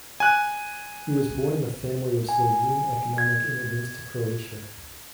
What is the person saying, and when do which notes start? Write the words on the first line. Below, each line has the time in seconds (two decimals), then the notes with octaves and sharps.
He was born in a family of Slovene economic immigrants to Croatia.
0.20 G#5 F#6
2.29 G#5
3.18 G#6